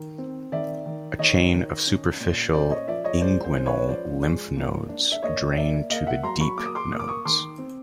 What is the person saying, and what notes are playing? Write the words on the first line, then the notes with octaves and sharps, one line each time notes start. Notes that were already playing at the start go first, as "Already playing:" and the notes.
A chain of superficial inguinal lymph nodes drain to the deep nodes.
Already playing: D#3
C4
D#3 D5 E5
D#3
D#3 C#5 D#5
D#3
C#4
A#2
C#4 C5 D5
C#5 D#5
F3 D5 E5
C#5 D#5
G#3 C5 D5
C5
C#4 C5
B4 C#5
F3 C5 D5
G#3
A#3
D4
E5
A#3 C#5 D#5
A#3 D5 E5
A#3 D#5 F5
E5 F#5
F#3 A#5 C6
B5 C#6
A#3 D6
D#6
C6 D6
A#3 D#6
D6
C#6 D#6
D#3 C6 D6
C4